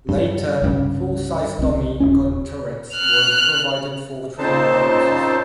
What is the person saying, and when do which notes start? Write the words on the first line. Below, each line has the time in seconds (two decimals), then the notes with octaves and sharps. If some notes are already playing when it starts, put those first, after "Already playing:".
Later, full-sized dummy gun turrets were provided for training purposes.
0.09 G2
0.62 C2 G2 C#3
1.59 C2 C4
2.00 D#1 C#4
2.94 F6 F#6
4.38 A#2 C#3 C4 D#4 C5 A5